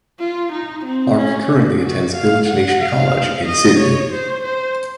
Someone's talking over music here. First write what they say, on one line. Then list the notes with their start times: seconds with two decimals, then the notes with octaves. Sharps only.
Clarke currently attends Village Nation College in Sydney.
0.19 F4
0.52 D#4
0.84 C4
1.18 C#4
1.83 F#4
2.15 F5
2.48 F#5
2.80 F5
3.46 D#5
3.79 C#5
4.12 C5
4.44 C5